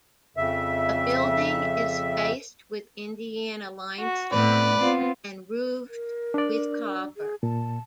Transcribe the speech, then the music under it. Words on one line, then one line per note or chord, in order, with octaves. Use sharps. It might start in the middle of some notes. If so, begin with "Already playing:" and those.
The building is faced with Indiana limestone and roofed with copper.
F2 C#3 E5
F#4
A2 B3 B4 D5
B3 C4 F4
A#4
D4 D5
G#4
A#2 A5